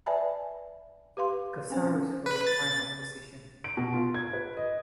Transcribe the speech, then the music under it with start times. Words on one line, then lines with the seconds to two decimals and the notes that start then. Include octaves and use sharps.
Kozoriz for the final position.
0.06 B4 D5 E5 G#5 A5 B5
1.17 G4 B4 F5 C6
1.70 C4 C#4 C5
2.26 B4
2.47 A6
3.64 D7
3.77 B2
3.94 F4
4.14 G#6
4.33 B4
4.57 D#5